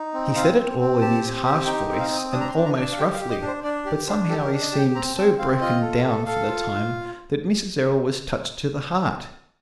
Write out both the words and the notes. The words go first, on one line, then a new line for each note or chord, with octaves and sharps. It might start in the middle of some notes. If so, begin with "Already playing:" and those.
He said it all in his harsh voice, and almost roughly, but somehow he seemed so broken down for the time that Mrs. Errol was touched to the heart.
Already playing: D#4
C4
C4 F5
C4
C4
G4 A5
C4
G4
D#4 G5
C4
F5
C4
D#6
D4 D#6
A#5
C6
D4
A#5
D4
A5
F5
G4 G5
F5
G4
D#5
D4
C5
D4 D5
G4 D5
D4 C5
G4 A4
A#4
D4
D#5
G4 A5
G5
C4 A#5
C4 A5
C4 F5
F4 D#5
A4
A4
A4 F5
F4
F4